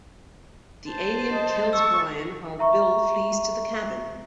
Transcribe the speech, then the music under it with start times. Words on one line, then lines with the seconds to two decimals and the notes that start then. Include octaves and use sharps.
The alien kills Brian while Bill flees to the cabin.
0.90 C5 A5
1.33 D#5
1.73 A5 C#6 E6
2.59 E5 A#5 C#6